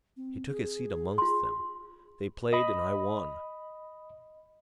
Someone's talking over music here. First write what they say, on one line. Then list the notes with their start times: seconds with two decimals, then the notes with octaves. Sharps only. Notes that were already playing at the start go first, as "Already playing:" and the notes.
He took his seat amongst them; they played, and I won.
0.17 C4
0.50 G#4
1.18 F4 C6
2.53 D#5 B5